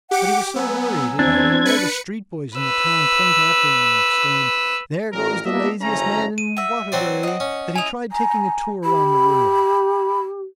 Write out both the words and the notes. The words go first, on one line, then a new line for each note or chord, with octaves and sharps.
But he was so worried at having all the street boys in the town point after him and exclaim: "There goes the laziest man in Waterbury!" that he tried taking a tour round the world.
G4 F#5 D6
F#3 B3 G#5 E6
E2 C4 D4 G#6
B4 C#7
B4 E6
A1 A#2 A#4
A#3 B3 D4 F4 D#5 E5
F#1 D2 A3 C#4 A#5
D#7
F#4 E5
F#3 C4 D5
D#5 F#5
C#4
E4 D#5 G#5 F7
G#5 A#5
G4 B5